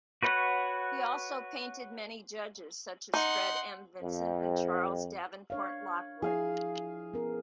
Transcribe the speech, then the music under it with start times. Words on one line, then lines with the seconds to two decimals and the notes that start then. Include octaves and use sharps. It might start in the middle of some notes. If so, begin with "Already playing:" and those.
He also painted many judges such as Fred M. Vinson and Charles Davenport Lockwood.
0.23 F#4 B4 C#5 F#5
3.14 D#4 F#5 C6
4.02 F2
5.50 D4 C#5 F5
6.22 F3 E4 G#4 F5 G#5
7.14 B3 C#4 A#4